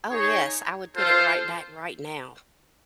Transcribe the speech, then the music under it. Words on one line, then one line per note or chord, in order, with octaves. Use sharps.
Oh yes, I would put it right back, right now.
D#4 G#4 C#5
F4 A4 C5